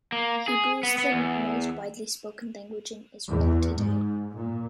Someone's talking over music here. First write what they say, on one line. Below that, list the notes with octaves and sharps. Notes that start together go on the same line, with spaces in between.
Hebrew is the most widely spoken language in Israel today.
A#3
G#4
B3
B3
E2
E2
G#2
A#2